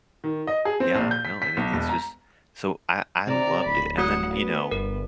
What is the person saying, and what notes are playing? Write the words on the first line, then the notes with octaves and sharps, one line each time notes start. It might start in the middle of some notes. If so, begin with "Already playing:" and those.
Yeah, no, and it it's just so I I loved it, and then, you know,
D#3
D#5
G#4
C4
A#1
G6
B6
B6
B1
E1
A#5
C3 D5 A#5
D1 B5
A3 F#4 F#5 D#6
B3
G1 A#4